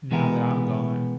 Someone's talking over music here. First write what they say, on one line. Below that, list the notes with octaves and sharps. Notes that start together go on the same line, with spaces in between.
now that I'm gone,
B2 E3 G#3 B3 A#4